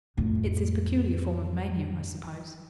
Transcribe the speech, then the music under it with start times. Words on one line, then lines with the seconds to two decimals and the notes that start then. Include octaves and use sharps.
It's his peculiar form of mania, I suppose.
0.17 F2 A2